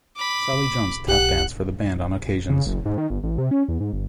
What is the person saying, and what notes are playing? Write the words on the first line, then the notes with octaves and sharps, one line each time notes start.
Sally Jones tap danced for the band on occasions.
B5 D6
B1 G4 F#5 F#6
C#3
F#1
G#2
D#3
G1
A1
C3
C#4
E2
G#2
G1